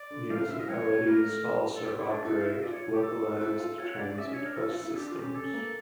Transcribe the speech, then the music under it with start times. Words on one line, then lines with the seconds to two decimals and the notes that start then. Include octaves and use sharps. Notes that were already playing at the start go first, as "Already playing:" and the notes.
Municipalities also operate localized transit bus systems.
Already playing: D5
0.10 D3
0.30 F3 F5
0.40 C#3
0.50 D3 E5
0.59 E3 A#4
0.69 F3 C#5
0.89 A3
1.07 A#3 A#4
1.27 A3
1.76 A4
1.85 G4
1.98 E4
2.11 D4
2.25 E4 A4
2.40 F5
2.43 E5
2.63 F4 D5
2.72 C#5
2.93 G4
3.02 A4
3.41 E4
3.60 F4
3.79 F4 C#5
3.98 D4 D5
4.18 C#4 E5
4.33 D4 C#5
4.45 A#4
4.56 E4 A4
4.69 F4
4.83 E4
4.96 D4 G4
5.08 F4
5.15 C#4 G4
5.35 C#4 A4
5.53 A#3